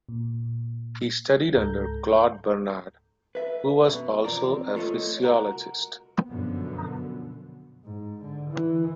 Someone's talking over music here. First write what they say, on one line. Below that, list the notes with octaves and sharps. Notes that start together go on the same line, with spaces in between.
He studied under Claude Bernard, who was also a physiologist.
A#2
C#2 G#2 A4 A#5 G6
B4 E5
F#2 B2
B1 E2 F3 A#4 D5
C4
A3 F4 A4 A#4 C#5 D#5
C2 F#4 A#4
F#2 B2 D3 F3 B3
G#2
D3
E3